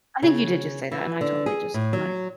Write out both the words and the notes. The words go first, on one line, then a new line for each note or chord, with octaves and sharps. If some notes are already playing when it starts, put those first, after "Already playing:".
I think you did just say that, and I totally just my
C#3
E3
D3
G#4
A2
F#3